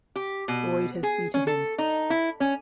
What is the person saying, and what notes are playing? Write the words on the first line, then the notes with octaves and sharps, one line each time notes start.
Boyd has beaten him.
G4
B2
G#4
C#4
A4
D#4
E4
C#4